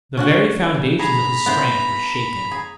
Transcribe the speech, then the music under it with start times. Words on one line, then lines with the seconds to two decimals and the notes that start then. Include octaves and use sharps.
The very foundations of his strength were shaken.
0.17 C#4 D4 F#4
0.74 G3
0.99 G#4 A#5 B5
1.46 B3 E4 C5
2.51 G#4